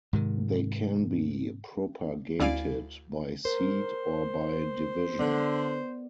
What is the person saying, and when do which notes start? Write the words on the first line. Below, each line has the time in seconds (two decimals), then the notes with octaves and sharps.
They can be propagated by seed or by division.
0.13 G#2 C3 D#3
2.40 D2 E4 D5 F5 G#5 D7
3.45 A#4 C5
5.19 D3 B3 D5